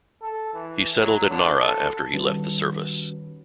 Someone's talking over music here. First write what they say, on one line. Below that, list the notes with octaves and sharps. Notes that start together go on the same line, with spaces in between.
He settled at Nara after he left the service.
A4
E3
F#3
D3
A4
D#3 G3 C#4 F#4 B4